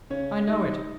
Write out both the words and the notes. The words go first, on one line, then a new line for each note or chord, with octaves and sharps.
'I know it!
C#3 C#4 C#5
G3 D#4 D#5